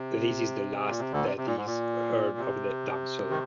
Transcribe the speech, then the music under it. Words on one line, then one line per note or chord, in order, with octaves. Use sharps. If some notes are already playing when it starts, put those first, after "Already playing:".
This is the last that is heard of the Damsel.
Already playing: C3
G#2
A#2
C3
D2 D3
C3
C3
A#2
G#2
A#2
C3
D#3